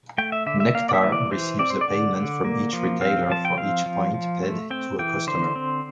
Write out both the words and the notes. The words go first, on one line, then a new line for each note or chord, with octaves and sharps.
Nectar receives a payment from each retailer for each point paid to a customer.
A3 G5
E5
D3 E5
E5
A#3 F5
D5
E5
E3
D5
E3 C5
C4 D5
C5
D5
D3
D3
A#3
F3
C4 F5
F3 A5
G5
C4 F5
F3
F3
A3
C4 G5
E3 G5
D3 C5
C4